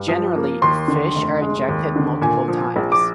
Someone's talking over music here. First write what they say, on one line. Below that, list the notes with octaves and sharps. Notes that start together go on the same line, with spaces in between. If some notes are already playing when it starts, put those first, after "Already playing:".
Generally, fish are injected multiple times.
Already playing: G2
F3
A#3
D#2 C6
D3
F1
G#3
D#2
D3
A#2 G#5
F3
A#1
D6